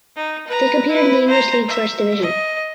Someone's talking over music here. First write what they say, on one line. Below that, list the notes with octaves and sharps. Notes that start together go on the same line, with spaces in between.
They competed in the English League First Division.
D#4
B4 A#5
E4 B4
C5 A#5
E5
D#5